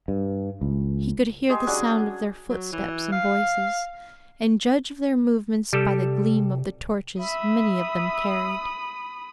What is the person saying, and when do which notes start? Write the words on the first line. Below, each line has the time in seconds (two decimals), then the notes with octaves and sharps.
He could hear the sound of their footsteps and voices, and judge of their movements by the gleam of the torches many of them carried.
0.08 G2
0.61 C#2
1.49 G#3 G4 G#4
1.67 F#3 C#4 D4
2.49 F#3
2.72 E3
3.12 F5
5.73 C3 G3 G4 A4
7.19 E5 B5 D#6